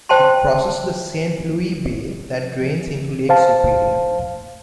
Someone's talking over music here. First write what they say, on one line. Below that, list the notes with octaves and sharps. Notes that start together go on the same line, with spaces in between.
It crosses the Saint Louis Bay that drains into Lake Superior.
C5 G5 A5 C6
C5 F5 A5